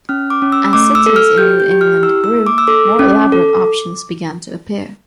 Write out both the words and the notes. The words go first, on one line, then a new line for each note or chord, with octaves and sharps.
As cities in New England grew, more elaborate options began to appear.
C#4 F6
D6
C#4
E6
A3 D6
E6
A4
F6
G4 G6
G6
G4
F6
E4 E6
E6
A#3
D6
E6
A4 D6
C#4
A4